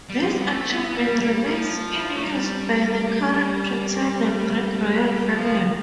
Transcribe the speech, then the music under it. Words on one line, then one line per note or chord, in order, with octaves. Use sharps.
This achievement remains in use by the current pretender Greek Royal Family.
G3
F3
G3
B3
A3
B3
G3
G3
F3
A3
G3
F3